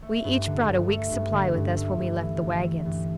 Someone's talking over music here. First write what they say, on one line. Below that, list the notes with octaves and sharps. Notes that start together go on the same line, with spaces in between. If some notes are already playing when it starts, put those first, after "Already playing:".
We each brought a week's supply with us when we left the waggons.
A3
G2
D3
G2
A3
G2
D3
G2
A3
G2
E3
G2
A3
G2